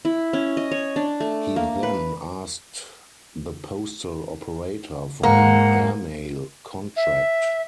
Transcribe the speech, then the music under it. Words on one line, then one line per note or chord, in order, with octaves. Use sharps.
He then asked the postal operator for an airmail contract.
E4
C#4
D#5
C#5
D4
A3
A#3
B4
G#2 A#3 F#5
E5